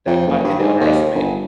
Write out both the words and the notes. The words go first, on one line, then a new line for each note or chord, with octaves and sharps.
that, I think they underestimate.
F2
F#1
G2
G#2
D#2
G1